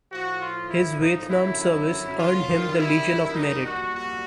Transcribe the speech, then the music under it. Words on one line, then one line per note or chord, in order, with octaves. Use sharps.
His Vietnam service earned him the Legion of Merit.
A2 F3 F#4
F4
E4
D#4
F#2 D3 F#3 E4
E4
F4
F#2 D#3 G3
E4
D#4
A#2 G3 F#4
F#4